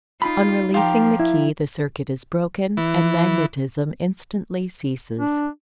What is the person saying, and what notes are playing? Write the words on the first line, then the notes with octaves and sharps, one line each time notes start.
On releasing the key the circuit is broken and magnetism instantly ceases.
D#4 F4 B5
F3 F4 G4 A#4
E4
E3
D4